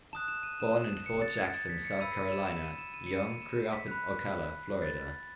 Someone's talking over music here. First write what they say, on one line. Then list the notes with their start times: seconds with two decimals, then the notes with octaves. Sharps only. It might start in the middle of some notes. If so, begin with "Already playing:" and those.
Born in Fort Jackson, South Carolina, Yonge grew up in Ocala, Florida.
0.13 A5 D#6 F#6 E7
0.28 E7
0.43 D#7
0.60 E7
0.82 E7
1.06 C#7
1.22 A6
1.37 G#6
1.53 A6
1.70 B6
1.85 C#7
2.01 B5 E6 D#7
2.16 D#7
2.32 E7
2.47 E7
2.63 D#7
2.78 E7
2.94 D#7
3.07 C#7
3.18 D#7
3.30 D#7
3.42 E7
3.73 B6
3.88 B5 F#6
4.82 A6